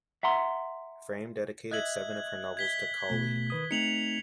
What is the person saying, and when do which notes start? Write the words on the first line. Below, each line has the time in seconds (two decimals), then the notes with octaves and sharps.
Frame dedicated seven of her novels to Cawley.
0.23 E5 F#5 A#5 C6
1.71 D#5 E5 F#6 G#6 F#7
2.57 G#6 B6 G7
3.10 B2 A3
3.50 D#3 B4 D#6
3.71 A3 C4 D#4 C#7 F7 F#7